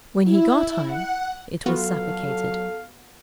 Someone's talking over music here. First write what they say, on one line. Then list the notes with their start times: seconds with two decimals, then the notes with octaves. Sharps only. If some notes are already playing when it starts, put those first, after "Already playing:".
When he got home, it was suffocated.
0.24 E4
0.86 F#5
1.66 F#3 B3 F4 F#4 A4 F5